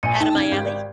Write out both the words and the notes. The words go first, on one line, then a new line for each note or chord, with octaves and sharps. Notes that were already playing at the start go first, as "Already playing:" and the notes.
Outta Miami?
A#1 G#5 C#7 D#7
D#4 G5 A5
C#3 G#6
G#1 G4
D5